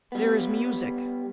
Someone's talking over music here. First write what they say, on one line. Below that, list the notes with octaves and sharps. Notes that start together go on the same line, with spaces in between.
There is music.
G3 B3